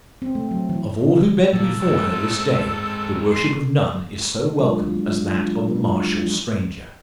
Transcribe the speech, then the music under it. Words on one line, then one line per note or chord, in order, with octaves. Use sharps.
Of all who bend before her this day, the worship of none is so welcome as that of the martial stranger.
C4
A3
F#3
E3
A#2 A4
G#3 C4
C6
E3 F#3 G#3 D4 F4